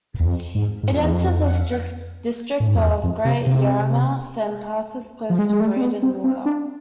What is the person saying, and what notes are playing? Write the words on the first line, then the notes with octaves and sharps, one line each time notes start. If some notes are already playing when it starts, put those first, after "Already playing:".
It enters the district of Great Yarmouth, then passes close to Breydon Water.
E2
F2
G#2
G#2
F2
E2
F2
A2
G#2
F2
E2
F2
C3
C3
F3
G#3
G#3
A3
C4
B3
C4
C4
D4